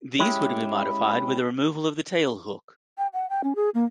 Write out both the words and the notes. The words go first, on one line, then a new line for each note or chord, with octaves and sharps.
These were to be modified with the removal of the tailhook.
G#3 C#4 E4 G4
G5
F#5
G5
C#4
G#4
A#3